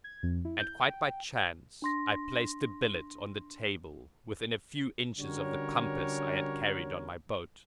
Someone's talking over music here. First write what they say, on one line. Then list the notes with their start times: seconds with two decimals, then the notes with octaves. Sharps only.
And quite by chance I placed the billet on the table within a few inches of the compass I had carried on my boat.
0.04 G#6
0.23 F2
0.45 E4
0.59 G6
0.80 G5
1.82 D4 C6 A#6
5.18 D3 G3 C#4 F#4 A#4 C#5